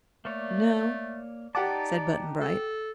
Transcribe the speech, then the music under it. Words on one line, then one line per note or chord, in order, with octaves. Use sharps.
"No," said Button-Bright.
A3 A#3 C#5 D5
D#4 G4 D5 F#5 A5 D6
A4